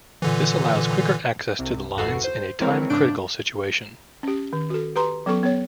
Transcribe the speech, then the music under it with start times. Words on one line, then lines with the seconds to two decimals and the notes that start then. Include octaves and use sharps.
This allows quicker access to the lines in a time-critical situation.
0.22 A#2 D3 E3
1.59 C2 C3
1.97 G1 E2 F#4 A4 B4 C7
2.24 C5
2.60 E3 F3 G#3 C4 A#4 C#5
2.90 G#2 C#3 D4 G6 D7
4.23 C#4 G4
4.53 D#3
4.70 F#4 A4
4.96 G4 B4 A#5 C6
5.26 F#3 B3 C#4 A4 C#6
5.43 B3 C#5